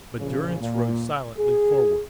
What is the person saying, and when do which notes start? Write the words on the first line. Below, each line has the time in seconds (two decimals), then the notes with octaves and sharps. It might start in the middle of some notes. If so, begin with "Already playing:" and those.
But Durrance rode silently forward.
0.19 A#1 C#3
0.60 A#2
1.37 G#4